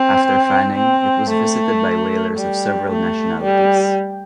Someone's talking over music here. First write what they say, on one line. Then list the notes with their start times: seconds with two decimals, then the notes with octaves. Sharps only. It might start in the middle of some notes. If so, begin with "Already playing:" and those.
After Fanning, it was visited by whalers of several nationalities.
Already playing: C4
0.76 C4
1.30 A3
2.37 G3
2.91 A3
3.44 G3